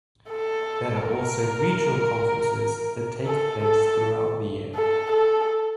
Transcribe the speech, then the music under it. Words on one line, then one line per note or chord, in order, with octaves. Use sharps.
There are also regional conferences that take place throughout the year.
A4
A#4
A4
A4
A4
A4